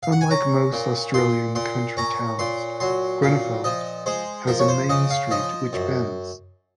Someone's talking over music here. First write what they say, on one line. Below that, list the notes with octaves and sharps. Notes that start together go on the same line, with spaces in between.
Unlike most Australian country towns Grenfell has a main street which bends.
F5
F#5
G#5
C#4 A#5
A#2
A#2 C6
A#2 C6
C#4 A#5
A#2 C6
F#3 C6
A#2 F5
F3 D#5
G#3 C5
F3 A#4
C#5
C5
C#3 D#5
F5
F3 D#5
F#2